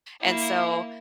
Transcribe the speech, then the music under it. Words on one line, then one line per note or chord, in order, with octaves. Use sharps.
and so,
A#3 E4